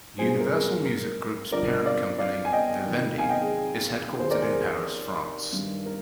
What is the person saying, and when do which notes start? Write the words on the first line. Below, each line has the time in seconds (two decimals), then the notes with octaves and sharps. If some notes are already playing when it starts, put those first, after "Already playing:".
Universal Music Group's parent company, Vivendi, is headquartered in Paris, France.
0.18 G2 F3 G#4 C5
0.30 G#4
0.40 A#4
0.52 G#4
0.85 A#4
1.51 G2 D3 F3 A#4 D5
1.85 D5 F5
2.18 D5 F5
2.45 G#5
2.53 D#5 G5
2.85 F2 C3 D#3
3.18 F5 G#5
3.29 D#5 G5
3.42 G#4
4.19 D#2 D#3 G#4 C5
4.31 A#4 D5
4.41 G#4 C5
4.52 G#4
5.53 G2 D#3
5.86 A#4